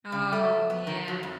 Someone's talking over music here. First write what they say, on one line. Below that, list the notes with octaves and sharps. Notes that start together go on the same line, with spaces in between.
Oh, yeah.
C#3
A3
B3
D#3
F#3
F2